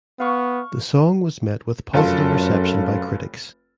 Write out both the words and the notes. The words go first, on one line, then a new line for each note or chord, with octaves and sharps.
The song was met with positive reception by critics.
B3 F5 C#6
F1 F#2 F4 A4